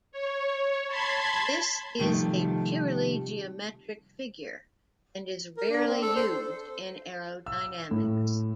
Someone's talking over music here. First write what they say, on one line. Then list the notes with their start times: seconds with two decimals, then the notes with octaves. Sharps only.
This is a purely geometric figure and is rarely used in aerodynamics.
0.12 C#5
0.87 A5 B5 C6 G#6 B6
1.99 C3 D#3 F3 G3 A3
5.57 A#4
5.70 D4
5.87 C4
6.02 A4
6.16 C5
7.46 E6
7.91 A2